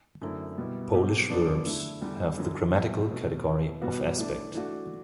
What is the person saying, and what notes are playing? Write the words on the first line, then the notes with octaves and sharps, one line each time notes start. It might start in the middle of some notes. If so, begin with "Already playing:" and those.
Polish verbs have the grammatical category of aspect.
F#2 D3 A3 C4 E4
B2 G3 B3 E4
B2 F#3 C4 G4
F#2 F#3 B3 D4
D3 A3 E4
E2 D3 G3
F#2 D3 F#3
E2 B2 G3 C4 E4
B2 A3 C4
E3 B3 E4
B2 G3 B3 F#4
E3 A3 D4
E3 A3 D4 F#4